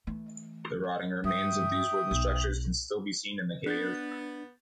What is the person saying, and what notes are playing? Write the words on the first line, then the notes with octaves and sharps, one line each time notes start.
The rotting remains of these wooden structures can still be seen in the cave.
E3 A3
G2 E5 G5 D#6
B1
B3 D4 F#6 G6 A6